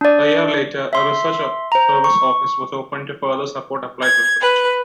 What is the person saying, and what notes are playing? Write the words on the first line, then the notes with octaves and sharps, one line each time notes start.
A year later, a Research Services Office was opened to further support applied research.
D4 D5
E5 C6
C5 A#5
C#6
G#6
B4